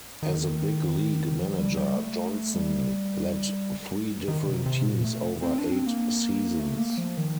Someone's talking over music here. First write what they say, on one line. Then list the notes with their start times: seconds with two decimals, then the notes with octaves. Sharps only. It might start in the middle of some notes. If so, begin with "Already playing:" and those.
As a big-league manager, Johnson led three different teams over eight seasons.
0.23 D#3
1.39 F3
1.58 G3
1.77 G3
1.96 A3
2.54 G3
4.28 D#3
4.48 C3
4.66 C3
4.86 A#2
5.04 A3
5.43 C4
5.58 D4
5.72 C4
5.87 A#3
6.59 A3
6.78 A#3
6.98 F3
7.17 D#3